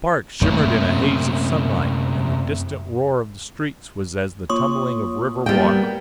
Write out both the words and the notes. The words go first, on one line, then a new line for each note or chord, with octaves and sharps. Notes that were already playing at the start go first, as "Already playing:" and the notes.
The park shimmered in a haze of sunlight, and the distant roar of the streets was as the tumbling of river water.
F#2 C3 A3 A#3 C#4 E4
A#3 F4 C#5 C6 C#6 D#6
G3 A#3 B3 G5